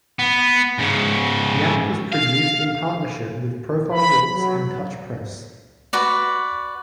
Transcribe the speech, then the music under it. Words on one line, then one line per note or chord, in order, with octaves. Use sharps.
The app was produced in partnership with Profile Books and Touch Press.
B3
G#2 C#3
F5
B5
F#3
F#4 B4 D5